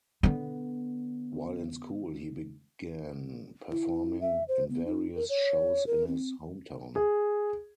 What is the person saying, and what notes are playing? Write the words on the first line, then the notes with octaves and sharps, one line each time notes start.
While in school he began performing in various shows in his home town.
D3 B3
E4
E5
C5
B3
D#4
A#4
C#5
A#4
C4
G#4